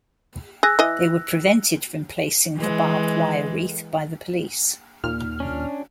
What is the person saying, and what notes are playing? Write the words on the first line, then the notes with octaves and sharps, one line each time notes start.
They were prevented from placing the barbed wire wreath by the police.
G#4 E6 F#6 A#6
E3 D#5
E3 G#3
D#2 A#2 F6
C#4 D4